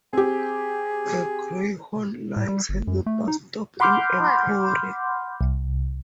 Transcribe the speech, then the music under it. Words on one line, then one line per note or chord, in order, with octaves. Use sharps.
The Greyhound Lines has a bus stop in Emporia.
C4 G4 G#4
A2
G3
G1
F#2
A3
D#4
F#5 B5 C6 D6 F6 G6
C2